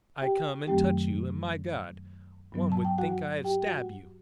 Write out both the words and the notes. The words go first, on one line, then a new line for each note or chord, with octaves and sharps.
I come and touch you, and, my God!--one would think I have stab you.
G4 G5
F#2 D#3 F#3 A3 C4 G4 G5
G2 F#3 B3
A5
G5
F#4 F#5
G4 G5
F#4 F#5